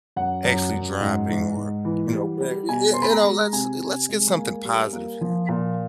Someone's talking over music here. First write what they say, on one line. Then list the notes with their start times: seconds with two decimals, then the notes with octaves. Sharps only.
actually dropping," or, you know, where you eh you know, let's let's get something positive here.
0.16 F#2 F#5
0.45 F#2
0.73 F#2
1.01 G#2
1.29 G#2
1.56 G#2
1.85 E3
2.13 G3
2.41 G3
2.69 B2 G#5
2.94 B2 C6
3.02 B5
3.10 A#5
3.24 G#3
3.52 C3 G#5
3.81 C3
4.09 G#3
4.37 A#3
4.65 G3
4.93 A#3
5.21 F3
5.49 A#2